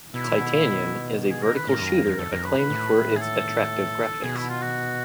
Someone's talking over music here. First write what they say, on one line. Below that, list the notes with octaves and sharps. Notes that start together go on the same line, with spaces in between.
"Titanion" is a vertical shooter acclaimed for its attractive graphics.
B2 E4
A#2
B2
A#2
B2
G#4
A#4
B4
A2 A#4
F#2
F2
F2
F2 A4
F2 A#4
F#2 B4
B4
A2
G#4
A4
B2 G#4
E4
F4
F#4